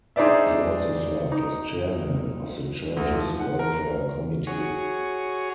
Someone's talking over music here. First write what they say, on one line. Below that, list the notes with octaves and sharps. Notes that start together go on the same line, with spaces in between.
He also served as chairman of the church's Welfare Committee.
D4 D#4 G#4 C5 D5 E5
D#4
D2
F3
F#5
A#4
F#4 G#4 C#5